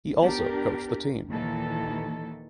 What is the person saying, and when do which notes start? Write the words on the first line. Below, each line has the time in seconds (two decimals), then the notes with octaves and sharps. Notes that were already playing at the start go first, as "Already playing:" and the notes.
He also coached the team.
0.20 B3 D4 G4 A#4
1.30 D#2 A#2 D#3 E3 A4